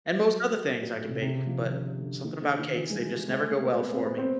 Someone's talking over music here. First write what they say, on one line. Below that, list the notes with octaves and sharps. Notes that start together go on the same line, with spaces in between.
and most other things I can bake, but something about cakes, they just never go well for me.
F#3
A#2
A2
C3
C3
C#3
F3
D#3
C#3
D3
D#3
D3
D#3
E3
G#3
G3
G#3
A3
A#3
B3
C4
B3
C4